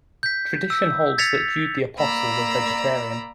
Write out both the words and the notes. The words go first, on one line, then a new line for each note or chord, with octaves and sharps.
Tradition holds that Jude the Apostle was vegetarian.
G6 B6
E6
G#6 A6 B6 C#7 F7
A#3 D5 A#5 B5 E6